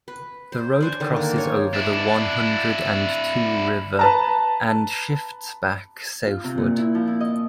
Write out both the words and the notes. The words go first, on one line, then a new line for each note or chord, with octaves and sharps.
The road crosses over the One Hundred and Two River and shifts back southward.
B4
C5
D4 C5 G#5
D3 D#3
A#3
C5 C#5 G#5
D4 E4
B4 A5 A#5
F4
C3
A#2
E4
F3
E4
D#5